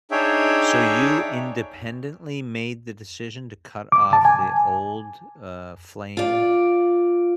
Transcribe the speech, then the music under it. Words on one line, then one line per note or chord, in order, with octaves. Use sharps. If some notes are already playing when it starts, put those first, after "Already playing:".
So you independently made the decision to cut off the old, uh, flame,
D4 D#4 G#4 C#5 E5 G5
D6
A5
G#5
F4 D5